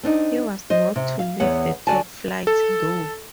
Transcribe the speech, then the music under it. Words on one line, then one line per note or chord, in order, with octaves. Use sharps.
He was not to leave the top flight, though.
C4 D4 D#4
C5 D#5
C3
F5
E2 B3 C#5 F#5
D3 F#4 D5 G#5 A5
A4